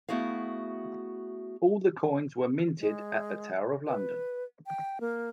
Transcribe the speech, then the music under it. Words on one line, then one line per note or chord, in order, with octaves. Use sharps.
All the coins were minted at the Tower of London.
A3 B3 E4 F#4 G#4 F5
G#3
B4
G5
A#3